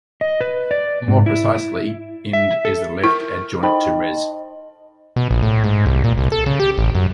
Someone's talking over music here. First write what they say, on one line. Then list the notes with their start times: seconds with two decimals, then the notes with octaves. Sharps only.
More precisely, Ind is the left adjoint to Res.
0.21 D#5
0.41 B4
0.71 D5
1.08 G#2
1.26 E4
2.33 E5
2.65 A4
3.04 E4 A#4 F6
3.63 D#4 C5 D#5 G5 A5 B5
5.16 B2
5.31 A#1
5.42 A2
5.64 G#2
5.86 C2
6.04 A#2
6.18 C2
6.32 A4
6.46 C#3
6.60 G4
6.78 A1
6.95 F#2